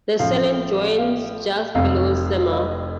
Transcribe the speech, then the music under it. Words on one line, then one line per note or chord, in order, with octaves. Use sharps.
The Cernant joins just below Semur.
A1 A2 F3 A3 F5
F5
F1 F2 C3 F5
D#5